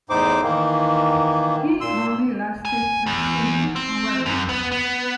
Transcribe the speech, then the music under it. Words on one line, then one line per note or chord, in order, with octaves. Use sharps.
He only lasted that season, however.
E2 A2 D#4 C5 D6
D#3 E3 A#3
A#2 C6 E6
G#5
E2
C4
F#2
B3
B3